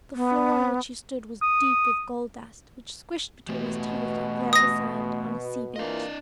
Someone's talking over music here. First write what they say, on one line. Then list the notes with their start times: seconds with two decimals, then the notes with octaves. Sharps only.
The floor on which he stood was deep with gold dust, which squished between his toes like yellow sand on a sea beach.
0.15 B3
1.42 D#6
3.49 B2 E3 A3 G4
4.53 D#6 A#6
5.76 E3 A#3 D4 F4 D#5